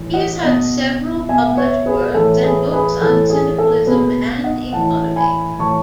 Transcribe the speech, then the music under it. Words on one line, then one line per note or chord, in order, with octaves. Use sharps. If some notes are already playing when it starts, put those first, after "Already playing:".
He has had several published works and books on syndicalism and economy.
Already playing: A2 E3
D#5 F#5
B2 D#5 F#5
B2 E5 G#5
F#5
C#5 E5
G#4 B4
A2 E3 A4
G#4 B4
G#4 B4
A2 E3 A4
G#4
A4
B2 G#4 B4
D#5 F#5
A2 E3 F#5 A5
G#5 B5
A2 E3 A5 C#6